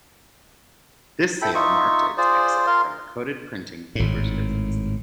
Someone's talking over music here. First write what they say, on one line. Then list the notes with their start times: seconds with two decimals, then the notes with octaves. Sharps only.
This sale marked its exit from the coated printing papers business.
1.42 E4 A4 G5 B5
1.55 D#4 F4 E5 C#6
2.18 F4 G#4 C5 D5
2.67 F4 A#4 F5 C6
3.95 G#1 A2